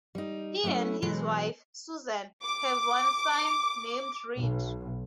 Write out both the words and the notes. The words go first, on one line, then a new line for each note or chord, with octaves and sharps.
He and his wife, Susan, have one son named Reed.
G3 D#4
F#3 A3 B3 C#4 E4
B2 E3 F#3 G#3 A4
D6
B1